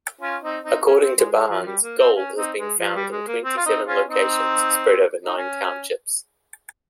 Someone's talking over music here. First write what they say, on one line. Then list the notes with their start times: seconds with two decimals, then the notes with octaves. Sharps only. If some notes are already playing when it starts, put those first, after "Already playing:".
According to Barnes, gold has been found in twenty-seven locations spread over nine townships.
0.21 C#4 F4
0.43 C4 D#4
0.64 C4 D#4
0.86 C#4
1.02 C4
1.18 G#3
1.34 G#3
1.50 F3
1.62 F3
1.66 G3
1.83 A#3
1.99 C4
2.15 C#4
2.37 C4 D#4
2.58 G#3
2.80 F3
2.95 G3
3.12 G#3
3.28 A#3
3.44 C4
3.57 F4
3.66 C4 D#4
3.87 C#4 F4
4.09 C4 D#4
5.26 D#4
5.38 C#4